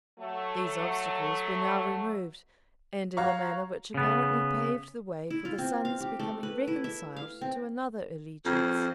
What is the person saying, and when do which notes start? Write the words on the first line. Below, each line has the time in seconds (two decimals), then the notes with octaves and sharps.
These obstacles were now removed, and in a manner which apparently paved the way for the son's becoming reconciled to another allegiance.
0.19 F#3 A3
3.17 F#4 C#5 F5 A#5 C#6
3.94 C#3 B3
5.30 E4
5.45 F4
5.58 C4
5.85 F5
6.00 G4
6.19 A3
6.43 B4
6.67 E4
6.84 E5
7.17 F5
7.41 C4
8.45 F2